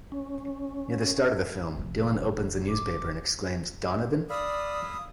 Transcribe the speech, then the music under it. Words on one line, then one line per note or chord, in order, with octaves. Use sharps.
Near the start of the film, Dylan opens a newspaper and exclaims, Donovan?
C#4
F1 F3
D6
D5 F5 B5 D#6 E6